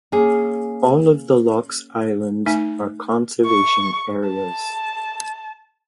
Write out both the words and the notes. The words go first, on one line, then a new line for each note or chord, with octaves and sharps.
All of the loch's islands are conservation areas.
A#3 C#4 G#4
A3 D#4 G#5
C#6
A5